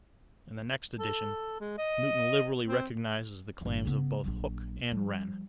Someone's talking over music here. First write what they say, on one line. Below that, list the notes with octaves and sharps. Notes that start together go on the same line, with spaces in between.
In the next edition Newton liberally recognizes the claims of both Hooke and Wren.
A4
G#3
D#5
C4
G1 E3
C#3 B3
A#1 F#3
F3 G3